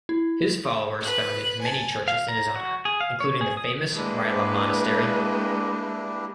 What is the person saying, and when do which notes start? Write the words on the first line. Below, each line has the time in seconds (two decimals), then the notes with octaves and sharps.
His followers founded many churches in his honor, including the famous Rila Monastery.
0.09 E4
1.00 B4 F#6
1.61 G#5 A5
2.08 F5
2.28 A#5
2.56 F#4
2.85 G#4
3.01 F5
3.21 C#5
3.41 G#4
3.57 D#6
3.95 G#3 A#3 D4 E4 G4 B4